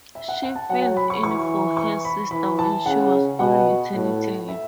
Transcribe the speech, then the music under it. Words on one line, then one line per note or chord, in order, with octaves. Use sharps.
She filled in for her sister when she was on maternity leave.
E5
F#5
F#5
A5
F#3 F#5
F#5
B5
C#6
E3 C#6
C#6
B5
E3 B5
A5
C#3 F#5
B2 F#5
A2
E5